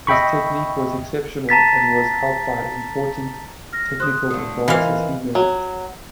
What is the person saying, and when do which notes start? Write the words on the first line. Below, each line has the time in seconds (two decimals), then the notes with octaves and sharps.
His technique was exceptional, and was helped by important technical advances he made.
0.07 D#5 E5 G5 B5 C#6
1.49 A5 A#5 A6 B6
3.73 F6 A#6
4.00 C5 D#6 F#6
4.30 D3 A3 D#6
4.68 C3 E3 A#3 F4 D#5 F5
5.35 F#3